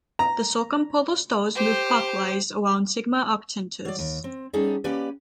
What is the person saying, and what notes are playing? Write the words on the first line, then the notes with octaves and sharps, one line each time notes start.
The circumpolar stars move clockwise around Sigma Octantis.
A#5
G4 C5
F#3 D5
D#2
C4
G3 B3 C#4 D#4 G#4 A4
A#3 C#4 G4 B4 D5